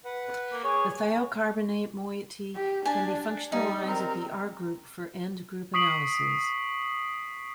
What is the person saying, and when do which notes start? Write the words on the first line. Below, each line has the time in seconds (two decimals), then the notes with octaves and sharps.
The thiocarbonate moiety can be functionalized at the R-group for end group analysis.
0.05 B4 F#5
0.52 A#3
0.64 G#4 C#5
2.55 G4
2.85 D4 G#5 A5
3.52 G3 D#4
3.85 C4 A#4
5.74 C#6 D#6 B6 C7 D7 F#7